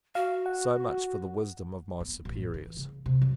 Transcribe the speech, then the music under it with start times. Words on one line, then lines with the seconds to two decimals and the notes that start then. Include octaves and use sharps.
So much for the wisdom of my superiors.
0.15 F#4 F5
0.46 F#5
2.01 B3
2.25 A1
2.54 E3
2.77 C#3
3.06 C3
3.21 F#2